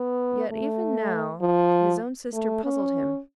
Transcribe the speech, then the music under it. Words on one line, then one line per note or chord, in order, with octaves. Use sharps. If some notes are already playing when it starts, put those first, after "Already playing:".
Yet even now, his own sister puzzled him.
Already playing: B3
A3
F3
A3
C#4